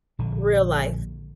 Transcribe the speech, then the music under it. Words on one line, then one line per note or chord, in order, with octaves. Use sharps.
Real life.
A#1 D3